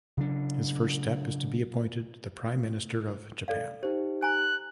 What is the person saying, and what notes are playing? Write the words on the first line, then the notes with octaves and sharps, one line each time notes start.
His first step is to be appointed the Prime Minister of Japan.
C#3 F#3 D4
A4 D5 F5
D#4 G4 C5
G#5 A#5 F#6